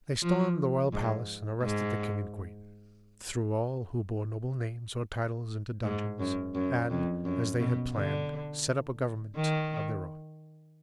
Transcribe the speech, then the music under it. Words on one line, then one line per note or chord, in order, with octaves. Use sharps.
They stormed the royal palace and arrested the king and queen, threw all who bore noble names or titles into dungeons, and, as they had planned, set up a government of their own.
F3
G#2
G#2
G#2
F#2
F#2
F2
F#2
B2
D3
D#3